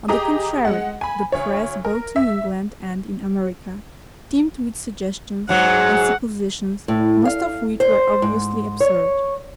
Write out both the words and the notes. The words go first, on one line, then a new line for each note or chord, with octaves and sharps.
On the contrary, the Press, both in England and in America, teemed with suggestions and suppositions, most of which were obviously absurd.
G4 G#4 D#5 A#5 D6 D#6
G#3 F#5
G#5 B5
D2 C#5
A#4
E5
G#2 F#3 F#5
A2
F5
C5
G#2
C#5